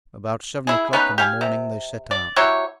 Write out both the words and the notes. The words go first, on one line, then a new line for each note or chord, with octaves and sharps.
About seven o'clock in the morning they set out.
E4 G#4
B3 C#4 D#4 B4
G4 F5 G#5
C3
D5
F#3 E4 G4 C#5